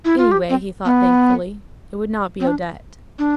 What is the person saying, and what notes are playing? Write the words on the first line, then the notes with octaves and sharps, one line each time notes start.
Anyway, he thought thankfully, it would not be Odette.
E4
F4
G4
C4
B3
C4
D4
D4